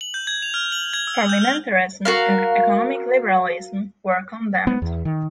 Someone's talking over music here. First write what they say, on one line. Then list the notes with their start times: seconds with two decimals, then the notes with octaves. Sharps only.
Parliamentarism and economic liberalism were condemned.
0.01 F#7
0.14 G6
0.27 G#6
0.42 F7
0.54 F6
0.72 F#7
0.93 G#6
1.07 E6
1.29 G6
1.42 F6
2.05 F#4 A#4 F5
4.67 B3
4.82 E2
5.05 D#3